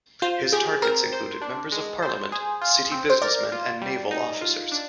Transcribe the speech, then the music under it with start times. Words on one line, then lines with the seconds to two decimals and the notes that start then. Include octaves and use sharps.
His targets included members of parliament, city businessmen and naval officers.
0.22 F4 C5
0.53 G4 G#4
0.82 C4 A#4
1.13 C5
1.42 D4
1.72 G#3
2.02 C5
2.32 G#4
2.61 F4
2.91 C4
3.10 C5
3.22 A#4 D5
3.52 F4
3.81 G3
4.11 D#4
4.41 F4
4.72 D4